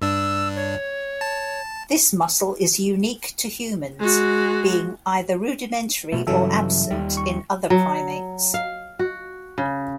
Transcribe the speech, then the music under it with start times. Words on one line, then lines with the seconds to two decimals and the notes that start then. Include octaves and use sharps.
This muscle is unique to humans, being "either rudimentary or absent" in other primates.
0.02 G2 D4 E6
0.56 C#5
1.21 A5
3.99 G#3 F#4
6.12 B2 A3
6.27 G2 C#3 E3 F#3 A4 E5
6.91 D#2 G3
7.17 C#6
7.70 F#3
8.54 F5
8.99 F#4
9.58 C#3